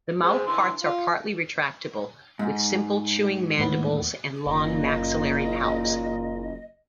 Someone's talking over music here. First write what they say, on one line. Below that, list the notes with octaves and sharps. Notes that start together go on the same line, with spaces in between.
The mouthparts are partly retractable, with simple chewing mandibles and long maxillary palps.
G#3 C4
D3 E3 C6
F4
G#2
D#2 A2 B3
F#1 A#2 D#5